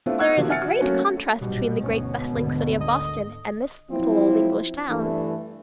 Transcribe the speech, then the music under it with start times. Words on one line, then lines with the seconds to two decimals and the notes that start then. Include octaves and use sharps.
There is a great contrast between the great bustling city of Boston and this little old English town.
0.06 A3 B3 C4 D4 E4 F4
0.18 F#5 C#6 E6 F#6 G#6
0.36 C3 D#3 F3 A#3 F#4
0.48 E5 F#5 G#5 F6 A6 C#7
0.62 F#4
0.81 F#3 A3 A#3 C#4 F#4
1.41 A#1 G#2 B2 G3
1.81 D2 G#2 C#4
2.29 G#1 D2 D3
2.81 D#5
3.90 F3 F#3 C4 E4
4.89 G2 E3 A3 D4